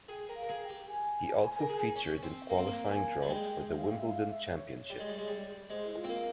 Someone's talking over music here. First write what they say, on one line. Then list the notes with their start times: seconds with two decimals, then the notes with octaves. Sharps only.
He also featured in qualifying draws for the Wimbledon Championships.
0.09 G#4 G5
0.29 A#4
0.35 F5
0.43 A#4
0.49 G#4
0.63 G5
0.69 G4
0.88 G#5
1.59 A#4
1.69 G#4
1.96 C#4
2.23 C4
2.49 A#3
2.58 C4
2.67 A#3
2.90 G#5
3.22 G3
3.29 G#3 G5
3.69 E5
3.77 F5
3.84 E5
3.93 F5
4.00 E5
4.09 F5
4.29 E5
4.49 C#5
4.69 C#5
4.90 G3
4.99 G#3
5.08 G3
5.18 G#3
5.28 G3
5.70 G#3 C5
5.87 E4
5.95 F4
6.04 C4
6.09 A#3